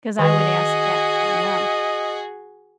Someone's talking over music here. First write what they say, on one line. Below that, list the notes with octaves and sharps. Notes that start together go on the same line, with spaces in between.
'Cause I would ask that from them.
D#3 F#4 G#4 B4 D#5